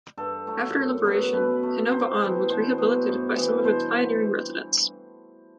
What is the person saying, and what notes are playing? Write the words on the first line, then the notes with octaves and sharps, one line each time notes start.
After Liberation, Hinoba-an was rehabilitated by some of its pioneering residents.
G2 A4
F#3 A3
F#2
F#3 B3
B2 B4
A3
C3 C5
E3 B3
B2 C5
F#3 B3
G2
E3 B3
B2 C5